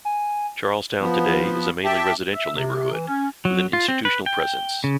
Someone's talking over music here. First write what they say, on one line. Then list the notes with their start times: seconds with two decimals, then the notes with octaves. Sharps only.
Charlestown today is a mainly residential neighborhood with an institutional presence.
0.05 G#5
1.01 F3 B3
1.84 G4 E5 G5 A5
2.33 E5
2.55 C3
2.92 E3
3.08 C#4
3.45 F#3
3.73 F4
3.88 C4
4.05 B4
4.26 G5
4.84 C#3